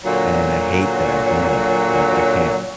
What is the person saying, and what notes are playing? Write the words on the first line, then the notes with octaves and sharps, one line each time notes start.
and I hate that I do that, like, I can't
A#2 D3 F#3